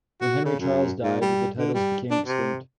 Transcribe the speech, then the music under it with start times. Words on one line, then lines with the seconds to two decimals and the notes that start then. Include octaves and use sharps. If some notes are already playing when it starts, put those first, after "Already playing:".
When Henry Charles died, the titles became extinct.
0.21 F#4
0.45 C#3
0.60 F#2
1.03 G#2
1.21 G3
1.58 D3
1.74 G3
2.10 D4
2.27 C3